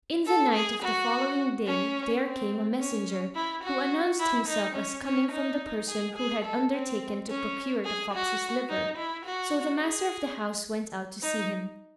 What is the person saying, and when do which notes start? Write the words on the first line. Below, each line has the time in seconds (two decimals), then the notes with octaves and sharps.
In the night of the following day there came a messenger, who announced himself as coming from the person who had undertaken to procure the fox's liver; so the master of the house went out to see him.
0.26 A4
0.54 G#4
0.82 F#4
1.66 C#4
2.23 C4
2.79 C#4
3.35 E4
3.63 F#4
4.20 E4
4.47 D#4
4.75 C#4
5.04 C#4
5.32 D#4
5.89 G#4
6.16 G#4
6.44 A4
6.72 C4
7.29 C#4
7.85 G#4
8.14 F#4
8.69 D#4
8.97 E4
9.25 F#4
9.82 G#4
11.23 D#4